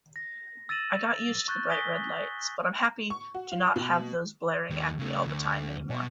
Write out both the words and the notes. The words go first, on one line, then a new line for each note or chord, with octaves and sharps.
I got used to the bright red lights, but I'm happy to not have those blaring at me all the time anymore.
A#6
E6 A6 A#6 D#7 E7 F#7
C#6 F#6 G6 A6
G#5 D#6 A#6 B6 G7
C#6
F#4
F4
B2
D#2
C#3 A3
D2
B2